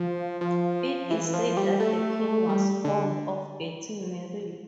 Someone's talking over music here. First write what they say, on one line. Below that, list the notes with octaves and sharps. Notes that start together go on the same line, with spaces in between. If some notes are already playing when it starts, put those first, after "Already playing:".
It is said that the King was fond of getting married.
Already playing: F3
F3
E3
F3
G3
A3
G3
D3